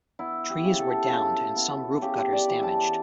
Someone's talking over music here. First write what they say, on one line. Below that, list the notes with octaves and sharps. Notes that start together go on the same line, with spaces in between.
Trees were downed and some roof gutters damaged.
B3 E4
G4
C#3
A4
C#3 A4
B3
C#3 G4
D5
E3
A5